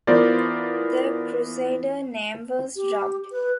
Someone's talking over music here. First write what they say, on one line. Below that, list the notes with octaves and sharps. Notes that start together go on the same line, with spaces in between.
The Crusader name was dropped.
E3 B3 F4 A#4 C5 D5
G4
B4